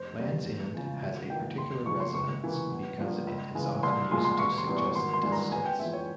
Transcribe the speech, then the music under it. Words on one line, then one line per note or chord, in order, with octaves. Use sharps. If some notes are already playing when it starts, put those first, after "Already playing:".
Land's End has a particular resonance because it is often used to suggest distance.
Already playing: F1 C5
E2 C3 G3 A#3
E2
C#3 F3 G#3
G#1 E5
G#2 E3 A#3 G5
F1 C6
F2 C#3 C#6
C6
C#2 C#6
C3 E3 A#3
G1
G2 F3 A#3
C#2
C#3 E3 G#3
C2 C6
A#2 F3 G#3 C6
C6
E1 C#6
C6
E2 E3 G3
C#6
G#1 C6
C6
G2 E3 G#3
A#5
G1 G#5
G5
F2 E3 G#3 E5
C#5